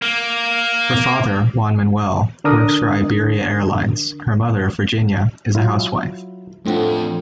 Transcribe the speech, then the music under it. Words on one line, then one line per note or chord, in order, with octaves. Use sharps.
Her father, Juan Manuel, works for Iberia Airlines; her mother, Virginia, is a housewife.
A#3
D3 D4 A#4 D#6
F#3 E4 F4
F2 A2 A3 C4 D4 F4 F#5